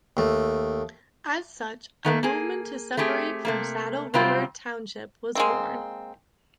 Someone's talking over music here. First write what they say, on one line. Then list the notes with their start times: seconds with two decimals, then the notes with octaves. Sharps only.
As such, a movement to separate from Saddle River Township was born.
0.17 D#2 A3
2.05 D#3 A3 A#3
2.23 A#3 G#4
2.97 A3 C4 G4 G#4
3.45 C3 A3 A#3
4.14 C3 F#3 G3 C4 F4
5.35 G#3 A#3 C4